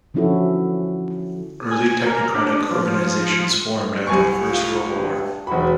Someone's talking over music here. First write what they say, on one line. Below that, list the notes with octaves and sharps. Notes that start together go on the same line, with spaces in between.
Early technocratic organisations formed after the First World War.
D3 F3 C#4 E4 F#4 A4
G#5
A#3
D4
D4
F3
C2 G#5 C#6
F4
G2
E1 F#4 B5